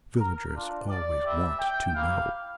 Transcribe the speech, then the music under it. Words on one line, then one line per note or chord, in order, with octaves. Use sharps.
Villagers always want to know.
A#4
A3 D4 F4
D5
G3 C4 G4 E5
G5
A#3 E4 G4 F5